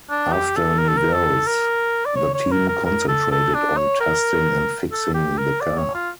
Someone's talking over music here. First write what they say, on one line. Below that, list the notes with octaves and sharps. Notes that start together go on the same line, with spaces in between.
After Nivelles, the team concentrated on testing and fixing the car.
D4
G4
A4
A#4
A4
A#4
A4
A#4
D5
C#5
C#5
A#4
A#4
A#4
A4
A4
D4
C#5
A#4
A4
G4
A#4
D5
C#5
F4